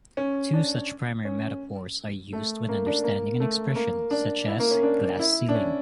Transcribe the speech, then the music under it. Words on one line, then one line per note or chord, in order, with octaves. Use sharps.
Two such primary metaphors are used when understanding an expression such as "glass ceiling".
C#4
D4
C#4
A3
A#3
D4
A#3
A3
A#3
D4
E4
A#3
C#4
D4
E4
D4
C#4